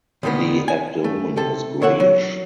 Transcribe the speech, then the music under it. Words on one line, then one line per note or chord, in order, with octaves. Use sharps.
The abdomen is grayish.
D2 B2 D#3 A#3 B3
G#5
A3
C3 A4
D3 C#5 E5 F#5
F#3